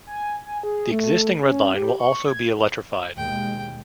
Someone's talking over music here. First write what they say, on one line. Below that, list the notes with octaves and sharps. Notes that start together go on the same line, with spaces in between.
The existing red line will also be electrified.
G#5
G#5
G#4
A3
C#4
G4
C#6
G#6
D#2 B2 G#3 G5